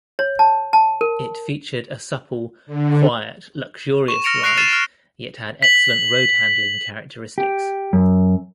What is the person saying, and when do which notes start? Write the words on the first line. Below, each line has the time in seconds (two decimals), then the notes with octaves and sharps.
It featured a supple, quiet luxurious ride, yet had excellent road handling characteristics.
0.19 C#5
0.39 A5
0.73 A5
1.01 A#4
2.67 D3
4.08 C#6 E7
4.24 F6 A#6 C#7 D7 F7
4.43 C#6 F#6 A#6 C7 D7 F7
4.58 F6 A6 C7 D#7 E7
4.73 F6
5.62 B6 F#7
7.38 G4
7.93 F#2